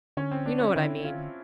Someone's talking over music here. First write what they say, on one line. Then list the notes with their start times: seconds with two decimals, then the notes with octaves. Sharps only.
"You know what I mean."
0.17 D3 C#4
0.31 C4
0.46 D4
0.60 C#4
0.76 D3 E4
1.05 F4